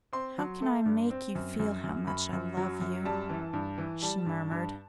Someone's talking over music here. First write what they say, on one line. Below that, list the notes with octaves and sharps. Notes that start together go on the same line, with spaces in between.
'How can I make you feel how much I love you?' she murmured.
C4 C6
F#3
A3
G2
C4
F#2
F#2
F#2
F#2 B5
F#2
F#3
F#2
G3 A5
E3
G2
E3
G3 A5
G2
G2